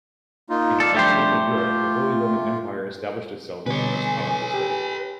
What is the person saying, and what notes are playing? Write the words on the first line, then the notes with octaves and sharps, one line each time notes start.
In continental Europe, the Holy Roman Empire established itself as the most powerful state.
A#3 D#4 F4
A4 D5 F5
F3 G3 A3 D4 G4 C5
F4
B2 D3 G3 B4 C#5 G#5
G4